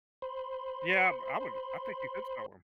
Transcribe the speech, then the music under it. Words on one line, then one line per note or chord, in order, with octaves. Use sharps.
Yeah, I would I think you could sell 'em.
C5 B5 C6